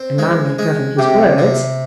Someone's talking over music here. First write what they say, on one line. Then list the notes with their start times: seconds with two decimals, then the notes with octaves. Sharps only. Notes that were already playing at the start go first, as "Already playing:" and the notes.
"A man may govern his words."
Already playing: C4
0.18 G#3
0.59 G#3
0.97 C3 G4
1.38 C3